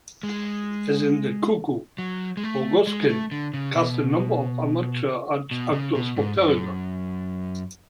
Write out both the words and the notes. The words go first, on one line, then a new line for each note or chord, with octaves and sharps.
As in "The Cuckoo", Rogozhkin cast a number of amateur actors for "Peregon".
G#3
F#3
G#3
A3
G#3
A3
D3
C#3
B2
B2
C#3
B2
G#2
F#2